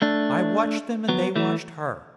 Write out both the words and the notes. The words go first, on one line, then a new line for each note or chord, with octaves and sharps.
I watched them and they watched her.
A3 D4
F#3 B3
E3 A3